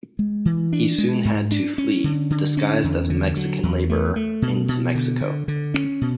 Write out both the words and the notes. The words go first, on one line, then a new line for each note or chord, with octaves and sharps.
He soon had to flee, disguised as a Mexican laborer, into Mexico.
G#3
E3
D4
G#3
G#2
D4
C#4
D3
D3
C#4
E2
D3
F#3
E2
A3
A3
B2
B2
D3
D3
D3
C#4
B2